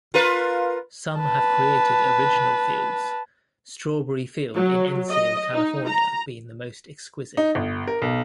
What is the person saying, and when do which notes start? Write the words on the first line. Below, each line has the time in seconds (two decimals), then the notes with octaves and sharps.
Some have created original fields, Strawberry Field in Encino, California being the most exquisite.
0.14 F4 A#4 B4
1.20 B4 A5
4.55 F#3
5.10 D#5
5.54 D#4
5.88 A#5
7.37 D#4
7.55 G1
7.87 A#4
8.02 B1